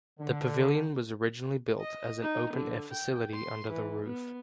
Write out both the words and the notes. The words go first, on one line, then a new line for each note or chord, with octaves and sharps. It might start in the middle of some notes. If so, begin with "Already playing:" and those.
The Pavilion was originally built as an open-air facility under the roof.
D3
D#5
D#4
D3
G5
C6
E3
B3